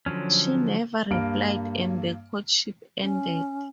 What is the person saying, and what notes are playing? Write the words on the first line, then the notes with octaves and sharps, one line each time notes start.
She never replied and the courtship ended.
D3 F3 F#3 C#4
G2 A#3 F5 F6 D7
C#4